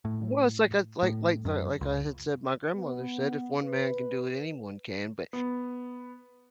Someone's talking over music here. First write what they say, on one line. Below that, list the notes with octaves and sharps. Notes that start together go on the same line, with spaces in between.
Well, it's like a like like the like I had said, my grandmother said, "If one man can do it, anyone can," but,
A2
A2
F#2
C#2
B3
B4
B3